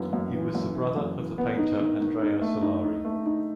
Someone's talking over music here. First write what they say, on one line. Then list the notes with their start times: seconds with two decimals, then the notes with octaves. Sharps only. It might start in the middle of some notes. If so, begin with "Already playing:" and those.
He was the brother of the painter Andrea Solari.
Already playing: F#2 E3 B3
0.13 F#2
0.34 E3
0.55 F#2
0.75 E3
0.96 F#2
1.18 E3
1.38 B3
1.59 D#4
1.79 D#3
2.01 D#3
2.22 D#4
2.42 A3
2.62 D#4
2.84 D#4
3.05 A3
3.26 D#4